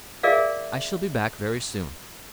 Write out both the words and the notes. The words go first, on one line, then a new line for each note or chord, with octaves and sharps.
I shall be back very soon.'
G#4 A#4 D5 E5 F5